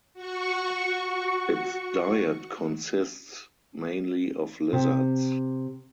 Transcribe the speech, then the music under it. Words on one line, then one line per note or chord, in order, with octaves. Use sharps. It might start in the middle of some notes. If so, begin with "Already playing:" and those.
Its diet consists mainly of lizards.
F#4 C#6
C3